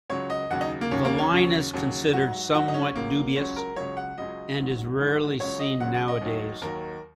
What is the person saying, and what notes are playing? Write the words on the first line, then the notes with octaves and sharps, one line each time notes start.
The line is considered somewhat dubious and is rarely seen nowadays.
C#2 C#3 F#3 C#5
D#5
D#2 C#3 F#3 F#5
D#4
A#3
D#2 C#3 F#3 C#4
A#3
C#4
D#2 C#3 F#3
D#2 C#3 F#3
G#2 F#3 F#4
G#2 F#3 F#4
D#4
C#4
C#2 C#3 F#3 A#3
C#2 C#3 F#3 C#4
A#4
C#2 C#3 F#3 C#5
F#5
C#2 C#3 F#3 D#5
G#2 D#3 F#3
G#2 D#3 F#3
C#2 C#3 F#3 C#5
D#5
C#2 C#3 F#3 F#5
F#5
D#5
D#2 D#3 F#3
D#2 D#3 F#3 A#4